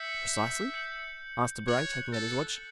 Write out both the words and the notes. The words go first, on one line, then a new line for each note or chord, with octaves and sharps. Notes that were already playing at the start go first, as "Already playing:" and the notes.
"Precisely?" asked Debray, taking out his watch.
Already playing: E5 G6 C#7 F#7
G6 C#7 F#7
C#5 F#6 C#7 F#7
A4